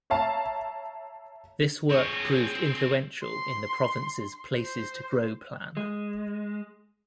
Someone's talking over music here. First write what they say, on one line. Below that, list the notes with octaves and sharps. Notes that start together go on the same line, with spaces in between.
This work proved influential in the Province's Places to Grow Plan.
C#5 E5 F5 A5 A#5
C4 G#4 C#5
C6
C5
G#3